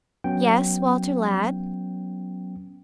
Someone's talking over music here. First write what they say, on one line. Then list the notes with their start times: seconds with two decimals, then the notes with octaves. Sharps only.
"Yes, Walter, lad?"
0.24 F#3 B3 C#4 G5